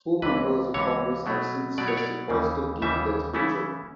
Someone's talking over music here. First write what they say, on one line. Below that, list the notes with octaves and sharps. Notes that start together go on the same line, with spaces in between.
Four members of Congress have since tested positive due to the exposure.
C#2 C3 E3 B4
C#2 C3 E3 C#5
B2 F#3 A3
B2 F#3 A3 D5
C#5
D5
D#2 C#3 E3 G3
D#2 C#3 E3 G3 E5
C#3 E3 A3 C#4 E4